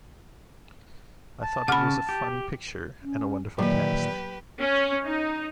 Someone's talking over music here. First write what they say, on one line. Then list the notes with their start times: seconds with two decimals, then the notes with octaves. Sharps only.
I thought it was a fun picture and a wonderful cast.
1.42 A5
1.68 C#3 F#5 B5 D6 F6
2.09 G4
3.02 C#4
3.58 A#2 D#3 E3 F#3 A#3 G4 B4
4.59 C#4
5.05 D#4